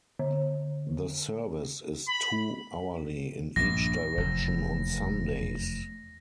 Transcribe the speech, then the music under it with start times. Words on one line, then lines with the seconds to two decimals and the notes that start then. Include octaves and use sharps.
The service is two-hourly in each direction on Sundays.
0.19 D3
2.08 B5
3.56 A#1 G2 A#6
4.17 F1 E2